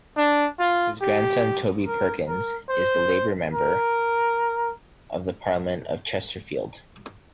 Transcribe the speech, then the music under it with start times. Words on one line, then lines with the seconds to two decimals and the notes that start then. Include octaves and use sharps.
His grandson Toby Perkins is the Labour Member of Parliament for Chesterfield.
0.18 D4
0.60 F4
1.01 G4
1.86 A#4
2.28 A#4
2.69 C5
3.54 A#4